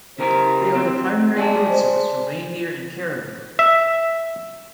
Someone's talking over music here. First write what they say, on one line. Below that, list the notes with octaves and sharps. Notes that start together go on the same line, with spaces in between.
They are the primary food source for reindeer and caribou.
C#3 E4 G4 A#4 C5 A#5
C4
G#3 D5 G#5 A5
C5
E5